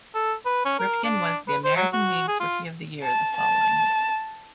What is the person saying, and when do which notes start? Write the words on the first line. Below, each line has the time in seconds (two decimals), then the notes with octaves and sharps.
Ripken was the American League's Rookie of the Year the following year.
0.15 A4
0.45 B4
0.65 C#4
0.79 A#4
1.04 D4
1.48 B4
1.64 C5
1.77 F#3
1.93 F#4
2.28 G#4
2.40 F4
3.02 A5
3.37 A5